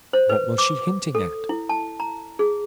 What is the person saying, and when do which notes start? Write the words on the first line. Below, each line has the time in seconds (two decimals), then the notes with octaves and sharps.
What was she hinting at?
0.13 C5
0.29 B4
0.58 D6
1.15 A4
1.49 E4
1.69 A5
2.00 A#5
2.39 G#4